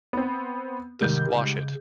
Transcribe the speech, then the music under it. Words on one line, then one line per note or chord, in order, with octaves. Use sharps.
The Squash It!
B3 C4
G#2 C3 D#3 G3 G6
C#3